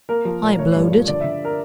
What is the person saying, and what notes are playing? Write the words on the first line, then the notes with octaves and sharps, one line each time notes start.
"I blowed it."
A#3 A#4
F3
A#2
A3 C#5
G2
F3
D3 D5
D3 E5
A#4